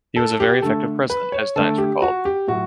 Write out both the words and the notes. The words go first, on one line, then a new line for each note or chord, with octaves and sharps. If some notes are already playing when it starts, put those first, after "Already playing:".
He was a very effective president, as Dines recalled.
A4
G4
D3 A3 A4
B4
C#5
D3 A3 A4
G4
F#4
G4
A2 F#3 F#4